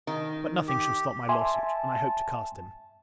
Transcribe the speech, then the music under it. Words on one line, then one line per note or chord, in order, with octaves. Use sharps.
But nothing shall stop my law-suit, and I hope to cast him.
D#3
G4
E5 G#5 A5 C6